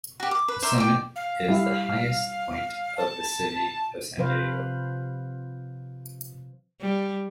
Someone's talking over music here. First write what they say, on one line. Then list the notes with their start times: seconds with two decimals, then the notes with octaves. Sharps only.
The summit is the highest point of the city of San Diego.
0.20 F#4 G4
0.31 D6
0.48 B4
0.62 C5 D5 E5 A#5
0.78 D5 G5
1.16 F5
1.49 G3 E4
2.98 A5
4.18 C3 F3 B4 C5 F5
6.81 G3